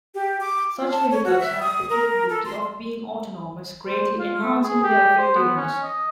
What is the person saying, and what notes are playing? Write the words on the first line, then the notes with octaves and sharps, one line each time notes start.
Such vehicles have the capability of being autonomous, greatly enhancing their effectiveness.
G4
D6
F4
A5
C#5
F#4
E5
D#6
A#4
A4
C6
C5
F4
A3
G#4
G4
C5
B3
C#4
D#5